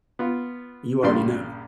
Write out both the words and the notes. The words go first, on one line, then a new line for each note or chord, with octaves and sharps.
You already know,
B3 F4
A#1 G2 C#3 G3 D5 C6